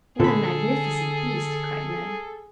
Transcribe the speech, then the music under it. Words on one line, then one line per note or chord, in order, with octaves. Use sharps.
"What a magnificent beast!" cried Neb.
A#2 D3 G#4 A4 B5